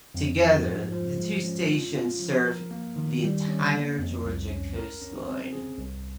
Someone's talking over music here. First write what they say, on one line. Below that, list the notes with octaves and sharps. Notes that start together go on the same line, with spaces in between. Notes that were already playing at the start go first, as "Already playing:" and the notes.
Together, the two stations serve the entire Georgia coastline.
F2
F3
G#2
F3
G#3
C#4
F4
F4
F3
A#4
A#3
D#3
G3
C#4
A#3
F2
C2
C#4
A#4
C#4
C4
G#4
C2